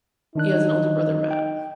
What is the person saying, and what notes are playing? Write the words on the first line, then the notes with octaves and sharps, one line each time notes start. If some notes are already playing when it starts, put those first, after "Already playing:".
He has an older brother, Matt.
D#3 D4 D#4 F#6
G5